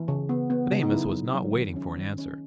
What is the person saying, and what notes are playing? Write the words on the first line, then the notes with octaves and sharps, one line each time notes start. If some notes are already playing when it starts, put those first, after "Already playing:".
But Amos was not waiting for an answer.
Already playing: E3
C#3
B3
B3
C#3
D#4
F#3 E4
F#3
F#3
D#3
C#4
D#3
C#4